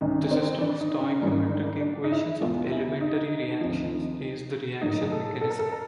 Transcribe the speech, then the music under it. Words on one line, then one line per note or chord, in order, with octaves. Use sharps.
The system of stoichiometric equations of elementary reactions is the "reaction mechanism".
C2 C3 D#3 C#4
C4
D4
D#4
C#4
G#2 E3 G3 A#3 C#4
D4
D4
D#4
E4
E2 B2 G#3 F4
E4
D#4
D2 C3 F3
A2 F#3 A#3 D#4
G#4
A4
A4
A#4
A4
A#4